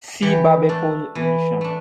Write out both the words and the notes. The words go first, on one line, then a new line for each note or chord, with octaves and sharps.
See Barberpole illusion.
E3 G4
A3 D4
E3
A3 D4